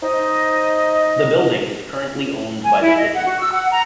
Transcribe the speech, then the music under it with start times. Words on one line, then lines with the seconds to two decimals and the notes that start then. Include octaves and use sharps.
The building is currently owned by the City.
0.03 D#4 C5 D#5
2.63 G#5
2.81 E4
2.97 D#5
3.13 F#5
3.25 F#4
3.40 E6
3.53 F#5
3.71 A#5